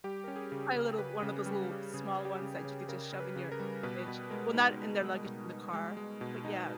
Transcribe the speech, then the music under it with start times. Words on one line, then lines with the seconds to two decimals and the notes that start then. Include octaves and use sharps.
Probably a little one of those little small ones that you could just shove in your luggage. Well, not in their luggage, in the car, but, yeah.
0.04 G3 G4
0.24 C#4 A#4
0.36 G#4
0.52 C#3
0.75 C#3
0.98 C#3 B4
1.22 C#3
1.46 G3
1.70 G3
1.94 C#3 G#4
2.18 C#4
2.25 G4
2.42 C#3
2.57 G#4
2.65 C#3
2.89 C#3 A#4
3.13 C#3
3.20 B4
3.36 C#3
3.52 A#4
3.60 G3
3.83 B2 B4
4.08 B2
4.31 G#3 A#4
4.54 D#4
4.78 G#3
5.02 G#3
5.25 B2
5.49 D#4
5.73 G#3
5.97 G#3
6.21 B2
6.45 D#4